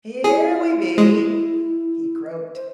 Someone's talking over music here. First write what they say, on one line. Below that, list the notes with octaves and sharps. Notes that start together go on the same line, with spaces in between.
"Here we be!" he croaked.
E4 G#4
G#3
C5